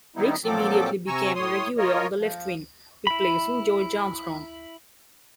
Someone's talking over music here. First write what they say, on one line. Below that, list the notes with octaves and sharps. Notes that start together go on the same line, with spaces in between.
Rix immediately became a regular on the left wing, replacing George Armstrong.
D#3 G3 B3 D#4 E4
A#2 F3 F#3 C4 A4 D6
C3 G#5 A#5 C#6 E6
A2 C#5 C6 D#6
F4 A#4 C#5 D#5
F3
E4 B5